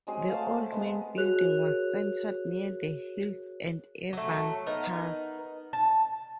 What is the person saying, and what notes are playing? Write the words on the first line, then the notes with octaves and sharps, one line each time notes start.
The old main building was centred near the hills and Evans Pass.
F#3 G#3 C4 G#4
A3 F5 F#5 A5
G#3 B3 G#4
F#4 G#4 A#4 C#5 F#6 F7
F#3 A3
B3 D#4 A#4
A5